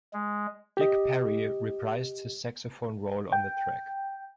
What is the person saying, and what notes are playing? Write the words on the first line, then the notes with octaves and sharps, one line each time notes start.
Dick Parry reprised his saxophone role on the track.
G#3
G4 D#5
G5